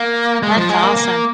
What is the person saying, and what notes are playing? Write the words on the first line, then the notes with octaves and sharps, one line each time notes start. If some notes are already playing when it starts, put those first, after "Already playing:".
That's awesome.
Already playing: A#3
G#3
F3
G#3
A#3
A#3